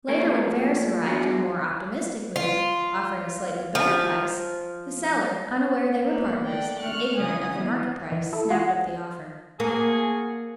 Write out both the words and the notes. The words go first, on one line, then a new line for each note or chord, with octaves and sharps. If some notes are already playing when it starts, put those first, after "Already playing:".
Later when Ferris arrived in a more optimistic mood, offering a slightly better price, the seller, unaware they were partners, and ignorant of the market price, snapped up the offer.
F3 A3 A#3 G#4 A#4
B3 D4 E4 F#4 G#4
F4
F3
A#3 B3
A3 D5 F#5 G5
C#6 F6 F#6
C#3 G#5 D#6
E3 B3
E3
E4 A4
F4 F#4 F#5
F3 A#3 F#4 G#4